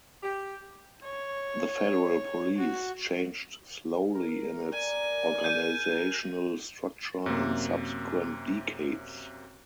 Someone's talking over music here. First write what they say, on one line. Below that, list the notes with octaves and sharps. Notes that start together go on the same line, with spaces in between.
The Federal Police changed slowly in its organizational structure in subsequent decades.
G4
C#5
F#4
A#4
D5 G#5
G6 D#7
F#2 C3 A#3